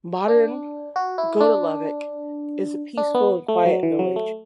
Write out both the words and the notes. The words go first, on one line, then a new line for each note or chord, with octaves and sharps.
Modern Gotalovec is a peaceful and quite village.
D4
F#4
E4
D4
D4
B3
A3
F#3
E3
F#3
A3